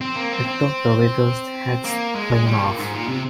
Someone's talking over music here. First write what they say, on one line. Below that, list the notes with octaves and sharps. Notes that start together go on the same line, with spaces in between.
It took the readers' heads clean off.
C4
A#3
C4
C4
A#3
G#3
G3
C3
A#2
G#2
A#2
C3